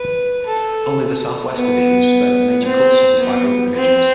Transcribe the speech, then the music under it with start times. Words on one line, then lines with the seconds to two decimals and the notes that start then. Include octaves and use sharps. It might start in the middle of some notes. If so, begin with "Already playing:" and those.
Only the Southwest division was spared the major cuts suffered by the other divisions.
Already playing: B4
0.46 A4
1.55 B3
2.64 C4
3.19 B3
3.74 C4